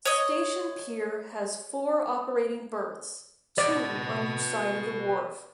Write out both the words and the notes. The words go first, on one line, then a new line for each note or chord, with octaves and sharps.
Station Pier has four operating berths, two on each side of the wharf.
C#5 D#5
B4 D5 D#5